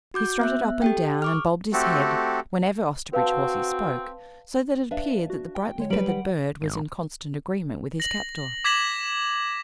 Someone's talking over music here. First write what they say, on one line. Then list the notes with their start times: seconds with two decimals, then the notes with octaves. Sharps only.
He strutted up and down, and bobbed his head whenever Osterbridge Hawsey spoke, so that it appeared that the brightly feathered bird was in constant agreement with his captor.
0.14 F#4 D6 G6
0.40 B3 E5 F#6
0.82 G4 A4 G5
1.22 C#6 D6 F6
1.73 A3 C4 F#4 G4 A4
3.13 C4 F#4 B4 F5 A5
4.91 D4 B4 E5 F5
5.30 F#4
5.55 G5
5.78 D3 G#3 C#5
5.90 F#3 G3 B4 D7 F#7
6.08 F#5
6.62 G#1
8.00 A#6 F#7
8.64 D6 G#6 B6 E7 F#7